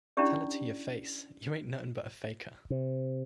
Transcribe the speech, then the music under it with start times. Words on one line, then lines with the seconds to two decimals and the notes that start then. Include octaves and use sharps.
Tell it to your face, you ain't nuttin but a faker!
0.17 C#4 D4 E4 F4 G4 D5
2.70 C3